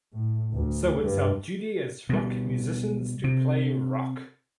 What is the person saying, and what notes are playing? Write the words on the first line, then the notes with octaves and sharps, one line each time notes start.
So it’s our duty as rock musicians to play rock.
A2
D2
G2
B2 G3
C3